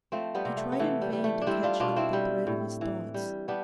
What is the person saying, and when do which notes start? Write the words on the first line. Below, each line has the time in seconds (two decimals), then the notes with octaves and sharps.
He tried in vain to catch up the thread of his thoughts.
0.12 F3 A3 C4
0.35 G3 B3
0.45 C3
0.57 A3
0.72 B3
0.79 E3 A3
1.02 G3
1.13 G3
1.24 A3
1.41 D4
1.47 G3 C4 E4
1.63 D4 F4
1.80 B2 D4 F4
1.96 C4 E4
2.13 G3
2.47 A2
2.81 E3
3.14 G3
3.48 G3 B3 D4